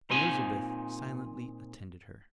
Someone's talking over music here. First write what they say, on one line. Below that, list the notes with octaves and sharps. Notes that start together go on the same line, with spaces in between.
Elizabeth silently attended her.
A#2 C4 D#4 G#5